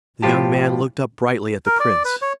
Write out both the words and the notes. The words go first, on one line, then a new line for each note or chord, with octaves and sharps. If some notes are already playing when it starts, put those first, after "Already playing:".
The young man looked up brightly at the Prince.
A2 F3 F4 G4 A5
A#4
D5
B4
C#5